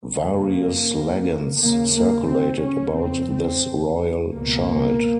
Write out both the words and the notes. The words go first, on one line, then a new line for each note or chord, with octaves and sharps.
Various legends circulated about this royal child.
F#2 C#3 A#3
D#2 C#3 A#3
A#3
C4
C#4
F2 C#3 C4
C4
C#2 B2 A#3